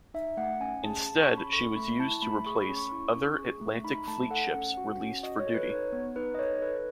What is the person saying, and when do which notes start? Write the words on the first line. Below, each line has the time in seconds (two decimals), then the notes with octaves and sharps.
Instead, she was used to replace other Atlantic Fleet ships released for duty.
0.14 D#4 E5
0.37 A3 F#5
0.60 C#4 G#5
0.84 G#4 A5
1.07 G#4 A5
1.22 C#6
1.30 C#4
1.38 B5
1.53 A4 C#6
1.76 A3 B5
1.99 E4 A5
2.22 A3 B5
2.46 G#4 C#6
2.61 B5
2.69 C#4
2.77 C#6
2.92 E4
3.15 C#4
3.38 G#4
3.61 A3
3.84 D#4 B5
4.07 A3 A5
4.30 A4 F#5
4.54 C#4
4.77 F#4
5.00 C#4
5.23 F#4 D#5
5.39 C#5
5.47 A4
5.54 B4
5.70 D#4 C#5
5.92 B3
6.16 D#4 B4
6.34 D#5
6.39 A4 C#5
6.62 A4 B4